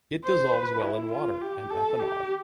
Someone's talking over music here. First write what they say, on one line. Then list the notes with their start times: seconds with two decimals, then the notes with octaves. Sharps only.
It dissolves well in water and ethanol.
0.24 C5
0.53 B4
0.83 E4
1.12 F4
1.41 G4
1.70 A4
1.99 G4